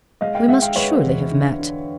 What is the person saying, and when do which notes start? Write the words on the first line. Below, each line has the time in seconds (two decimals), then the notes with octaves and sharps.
'We must surely have met.
0.21 G#3 D#5 F5
0.35 F5 G5
0.48 G#3 E5 F#5
0.62 F5 G5
0.76 G#3 B4 C#5
1.04 E2
1.32 D3
1.59 D3